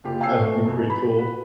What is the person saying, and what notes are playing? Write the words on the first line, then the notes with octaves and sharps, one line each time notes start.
That'd be pretty cool.
F#1 F4 G4
F5 G5 G#5 E6 C7
A3 A4
F#2 B2
B5
B4